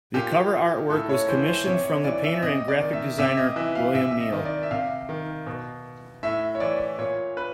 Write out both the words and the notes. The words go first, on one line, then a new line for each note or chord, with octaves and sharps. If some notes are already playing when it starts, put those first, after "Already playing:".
The cover artwork was commissioned from the painter and graphic designer William Neal.
A#2 G4
A2 A4
C#5
E3 C5
C5
C3 C#5
C#5
E3 D5
E5
C3 D#5
D5
D#3
E5
C3 E5
D#5
E3 E5
F5
C3 E5
E5
D#5
D#3
D5
E5
C3 F5
D#3
B2
A2 E5
C#5
E3 D5
A#2 C#5
B4